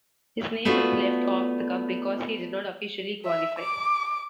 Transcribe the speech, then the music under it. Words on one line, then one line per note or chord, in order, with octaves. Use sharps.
His name was left off the cup, because he did not officially qualify.
A3 B3 D4 F4 F#4
E5
D6